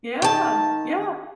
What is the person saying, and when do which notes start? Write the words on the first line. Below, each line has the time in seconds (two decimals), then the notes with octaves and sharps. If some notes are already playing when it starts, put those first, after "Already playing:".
Yeah, yeah.
0.22 D#3 A5